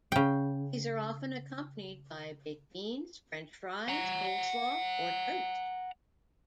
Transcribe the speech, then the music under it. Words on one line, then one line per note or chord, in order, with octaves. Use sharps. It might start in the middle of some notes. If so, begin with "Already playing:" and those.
These are often accompanied by baked beans, french fries, coleslaw, or toast.
C#3 G5
F#5 A#5